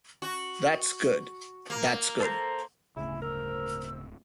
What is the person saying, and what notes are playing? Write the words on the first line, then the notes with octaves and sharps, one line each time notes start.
That's good, that's good.
F#4
A#3
A4 C5 A#5
D1 G1 C#3 A3 E4 G#5
A#4 C5 E6